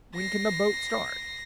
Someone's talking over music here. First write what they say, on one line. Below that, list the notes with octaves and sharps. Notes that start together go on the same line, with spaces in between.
"When can the boat start?"
A#6 C7